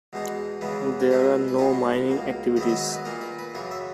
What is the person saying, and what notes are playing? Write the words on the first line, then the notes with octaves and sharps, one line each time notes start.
There are no mining activities.
E2 B2 G#3 D#4
E2 C#3 E3 G#3 B3
A#4
B2 G#3 B3 E4 B4
B4
B2 G#3 B3 D#4 C#5
C#2 B2 A#3
G#2 D#3 F#3 B3 E4 D#5
D#5
D#5
B4
A#2 A#3 D#4 A#4
B4
B4
F#2 C#3 E3 C#5
E5